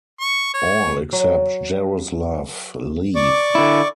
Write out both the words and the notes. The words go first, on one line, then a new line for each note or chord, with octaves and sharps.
All except Jaroslav leave.
C#6
C#5
F#3
D5 C#6 D6
D3 E4